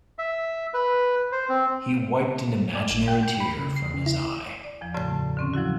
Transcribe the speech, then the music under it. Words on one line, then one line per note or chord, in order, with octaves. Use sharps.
He wiped an imaginary tear from his eye.
E5
B4
C5
C4
D5
G#1
G5
G5
B5
C#3
C7
C#3
E4
D5
E2 F3
F#2 A2 C#3 D5 A5
D3 C4 C#4
F3 F#3 E4 F#4